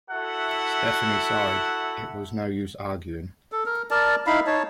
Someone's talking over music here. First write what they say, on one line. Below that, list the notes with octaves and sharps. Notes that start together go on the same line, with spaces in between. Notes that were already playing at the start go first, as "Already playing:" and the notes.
Stephanie sighed; it was no use arguing.
E4 F#4 A4 E5 F#5
A4
A#4
A#4 D5 A5
D#4 E4 F5 B5
D#4 C#5 A5